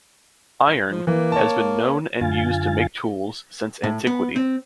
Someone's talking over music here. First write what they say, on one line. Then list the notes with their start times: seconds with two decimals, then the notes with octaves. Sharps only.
Iron has been known and used to make tools since antiquity.
0.91 F3
1.07 E3 A#3
1.32 C#5 A5
2.21 F#2 D3 F4 F5 G#5 A6
3.84 A2
4.07 B3
4.36 C4